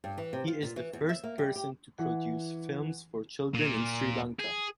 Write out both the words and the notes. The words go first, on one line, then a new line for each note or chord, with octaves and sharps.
He is first person to produce films for children in Sri Lanka.
G2
E3
C3
F4
A#2
E3
E2
E5
A#3
G3
G4
E3 F#5
A#2
G#4